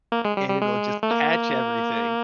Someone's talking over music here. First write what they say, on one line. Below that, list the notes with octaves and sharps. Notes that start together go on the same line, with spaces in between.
And it'll just catch everything.
A#3
G#3
G3
G3
G#3
A3
A#3